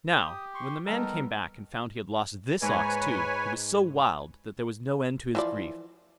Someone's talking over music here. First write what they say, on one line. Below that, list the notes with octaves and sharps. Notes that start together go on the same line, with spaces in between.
Now, when the man came back and found he had lost this ox too, he was so wild that there was no end to his grief.
G4 D#6
C6 C#6
D#3 G3 B3 A4 A#4
G#2 B4 C#5 G#5 A#5
E3 F3 D5